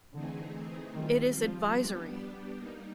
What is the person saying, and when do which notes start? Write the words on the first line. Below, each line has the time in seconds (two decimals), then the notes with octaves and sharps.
It is advisory.
0.13 D3 E3 A3 C4 D#4 G#4
0.93 D#3 G3 C4 F4
1.34 F3
1.74 G3 B3 D4 G4
2.56 G3 A#3 D#4